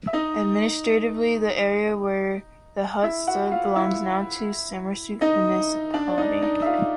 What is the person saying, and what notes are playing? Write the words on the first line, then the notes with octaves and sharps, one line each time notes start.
Administratively the area were the hut stood belongs now to the Sermersooq municipality.
E5
D#4 D#5
E4 E5
F#4 F#5
F4 F5
E4 E5
D#4 D#5
D4 D5
D5
D#4 D#5
D#4 D#5
E5
F4 F5